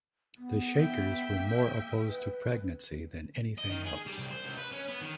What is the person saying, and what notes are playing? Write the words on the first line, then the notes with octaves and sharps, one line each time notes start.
The Shakers were more opposed to pregnancy than anything else.
B3
E5 G5
A#3
B4
D#5
D#3
G#4
G3
C2
C5
C#2
B4
C#4
B3
D#3